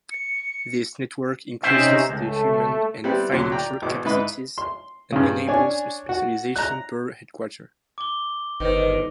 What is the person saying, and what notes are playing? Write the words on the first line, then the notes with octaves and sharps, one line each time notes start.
This network increases the human and financial capacities and enables a specialization per headquarter.
C#7
C3 C#4 D#4 C5 E5
C#2 A3
G3 B3 C4 E4
D2 A#2 F#3 C6
D5 G5 A#5
G#1 B2 D6
G#2 D#4 E4 B4 D#5
C6
G2 C#3
C#4 D4 C#5 G#5
F#4
A#5 F#6
D6 G7
G1 D#3 B4 C5 D#5